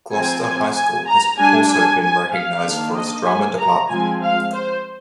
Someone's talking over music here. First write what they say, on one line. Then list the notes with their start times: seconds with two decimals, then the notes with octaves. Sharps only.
Gloucester High School has also been recognized for its drama department.
0.12 F3 C4 G#5
0.44 G#5
0.74 G#5
1.07 A#5
1.38 G3 D4 G#5
1.69 G#5
2.01 G#5
2.33 F5
2.64 D#3 A#3 D4
2.96 D#5
3.26 G#5
3.59 A#5
3.90 F3 G#3 C4 G#5
4.22 F5
4.53 C5